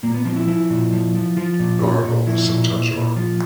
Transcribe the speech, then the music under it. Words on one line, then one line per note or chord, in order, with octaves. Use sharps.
The oracle was sometimes wrong.
A#2 A#3
B3
F3 C4
E4
F3 E4
A#2
F3
F3
F3 F4
A#2
A#2
A#2
F3 E4
A#2
A#2
A#2
F3 F4